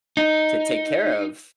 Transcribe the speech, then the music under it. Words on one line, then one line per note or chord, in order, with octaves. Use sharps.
to take care of
D#4